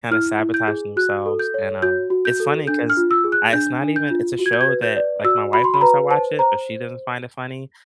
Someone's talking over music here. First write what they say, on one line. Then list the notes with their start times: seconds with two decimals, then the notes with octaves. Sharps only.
kinda sabotaging themselves, and, um, it's funny 'cause I it's not even it's a show that, like, my wife knows I watch it, but she doesn't find it funny,
0.11 E4 F6
0.40 E4
0.54 G6
0.68 G#4
0.97 F#4 F#6
1.26 A4
1.39 G6
1.54 C#5
1.82 F#4 G6
2.10 F#4
2.25 G6
2.40 A4
2.67 D4 G6
2.90 F6
2.97 F4
3.11 E6
3.24 G#4
3.32 F#6
3.53 D4 G6
3.82 D4
3.96 G6
4.10 F4
4.39 F#4
4.46 G#6
4.53 G6
4.61 G#6
4.68 B4
4.82 G6
4.97 D5
5.24 F#4 E6
5.53 F#4 B5
5.64 C6
5.74 B5
5.81 B4 A#5
6.10 C5 A5
6.39 C5 A#5